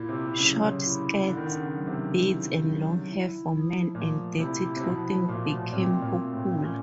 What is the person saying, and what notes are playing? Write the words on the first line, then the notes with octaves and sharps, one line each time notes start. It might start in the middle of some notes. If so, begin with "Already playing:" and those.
Short skirts, beards and long hair for men, and dirty clothing became popular.
Already playing: A#2 E4
C3
C3
C#3 F#3
E4
D3 B3
D#3
D3
C#3
F#3
C3
E4
F#3
E4
F3
A#2 A3
C3 E4
C3
B2 F3
A#2 A3
B2
A#2
A#2 C4
A#2
A3
A2
A#2 C#4